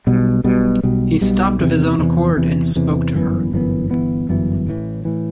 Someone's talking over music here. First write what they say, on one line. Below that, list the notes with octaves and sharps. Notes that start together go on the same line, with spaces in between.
He stopped of his own accord and spoke to her.
B1 B2 G3
B1 B2 G3
B1 B2 G3
B1 B2 G3
E2 C3 E3
E2 C3 E3
E2 C3 E3
E2 C3 E3
G1 F#2 E3 B3
G1 F#2 E3 B3
G1 F#2 E3 B3
G1 F#2 E3 B3
A1 A2 E3
A2 E3